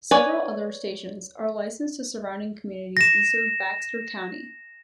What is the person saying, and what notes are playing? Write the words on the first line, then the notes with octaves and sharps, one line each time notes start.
Several other stations are licensed to surrounding communities and serve Baxter County.
B4 C#5 D5 G#5
A#6 E7